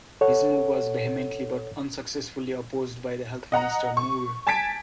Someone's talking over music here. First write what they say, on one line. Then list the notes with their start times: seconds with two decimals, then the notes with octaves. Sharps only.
His move was vehmently but unsuccessfully opposed by the Health Minister, Moore.
0.21 A4 C#5 F#5
3.52 D#5 F#5 A#5
3.97 C#6
4.47 G#5 A5 G#6 A6 B6 D7